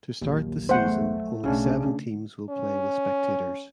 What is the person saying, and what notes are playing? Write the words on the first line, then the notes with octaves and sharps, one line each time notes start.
To start the season only seven teams will play with spectators.
A#1 D#2 F#3
E2 A3 C5 F#5
B1 C#3 C#4 D4
D3 A3
C#4